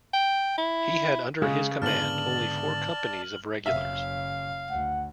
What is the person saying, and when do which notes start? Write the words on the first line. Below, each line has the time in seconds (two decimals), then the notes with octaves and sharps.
He had under his command only four companies of regulars.
0.14 G5
0.58 E4
1.42 C#3 G#3 G#4
1.82 G#2 D3 B3 D5 A5 F6 F#7
3.66 F#1 C#3 E5 F5
4.70 D2 F#5